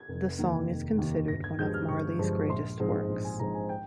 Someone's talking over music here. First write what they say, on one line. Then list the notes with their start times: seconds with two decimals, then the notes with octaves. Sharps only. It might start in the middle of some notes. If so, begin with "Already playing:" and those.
The song is considered one of Marley's greatest works.
Already playing: G#6
0.09 F1
0.38 D#2 D#3 A#3
0.68 F1
0.98 D#2 D#3 A#3
1.28 G1 A#6
1.44 G#6
1.59 G2 F3 G#3 G6
1.74 F6
1.89 G1 C#6
2.19 G2 F3 G#3
2.49 A#1 C6
2.80 G#2 F3 G#3 C4
3.10 A#1
3.24 G#5
3.39 G#2 F3 G#3 C4 A#5
3.54 G#5
3.69 G5